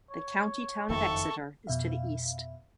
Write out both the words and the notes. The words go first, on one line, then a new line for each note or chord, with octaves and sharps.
The county town of Exeter is to the east.
C#5
F#1 F2 D#3 A4 E5 C#6
F2 B2 E5 F5